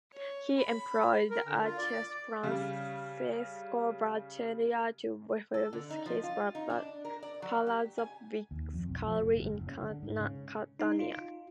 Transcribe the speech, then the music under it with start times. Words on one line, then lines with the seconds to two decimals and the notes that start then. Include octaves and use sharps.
He employed the architect Francesco Battaglia to refurbish his Palazzo Biscari in Catania.
0.14 C#5
0.58 B5
1.31 A#4
1.45 D3
1.65 F4
1.78 D5
2.43 C#3 G3
5.54 A4
5.73 D3
5.90 D#4
6.06 F3
6.24 F4
6.55 D#4
6.70 D4
7.05 A#4
7.23 D5
7.42 F#3
7.67 G4
7.98 G#5
8.51 D#2
8.73 F2
8.88 B1
9.07 F3
9.21 F#1
9.36 G1
9.55 F#1
9.67 C#3
9.82 D3
10.02 G#2
10.19 C#3
10.80 D#4
10.99 F4